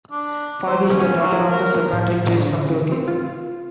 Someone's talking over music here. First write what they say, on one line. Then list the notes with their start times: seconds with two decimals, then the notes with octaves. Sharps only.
Farhi is the daughter of Sephardic Jews from Turkey.
0.11 D4
0.67 C5
0.89 C#4
1.22 F#3
1.51 A#4
1.93 A2
2.40 D3
2.65 C#3
2.92 C4
3.08 F4